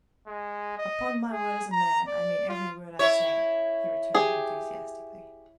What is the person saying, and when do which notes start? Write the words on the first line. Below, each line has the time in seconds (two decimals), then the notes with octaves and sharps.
"Upon my word as a man, I mean every word I say," he returned enthusiastically.
0.27 G#3
0.78 D#5
1.32 G#4
1.72 A#5
2.08 D5
2.49 F4
2.99 E4 C#5
4.15 G4 G#4